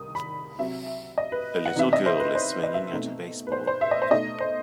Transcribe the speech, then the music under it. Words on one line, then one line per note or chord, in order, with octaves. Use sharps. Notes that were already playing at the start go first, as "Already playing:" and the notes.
A little girl is swinging at a baseball.
Already playing: C2 D#3 D#6
B5
C3 F#3 C4 E5
D#5
B4
F#5
C3 E3 B3 D#4 E5
D#5
C5
B4
C5
D#5
E5
B2 A3 C4 D#4
B4
C5
C5
E5
D#5
C5
B2 A3 D#4 D#5
C5